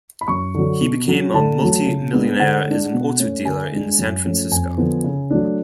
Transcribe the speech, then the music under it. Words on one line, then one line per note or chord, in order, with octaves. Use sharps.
He became a multi-millionaire as an auto dealer in San Francisco.
B5
F#2 C#6
D3 F#3
B2
F#3 C#4
D3 A5
F#3 A3
C#3
G#3 B3 D4
D3 F#5
G#3 D4
B2
A3 C#4
D3 G#5
G#3 D4
F#2
F3 A3 C#4
F2 G#5
D3 F3 B3
C#3
F#3 A3 D4